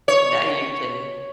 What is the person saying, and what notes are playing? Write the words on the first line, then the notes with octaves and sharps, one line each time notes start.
Now you can
C#5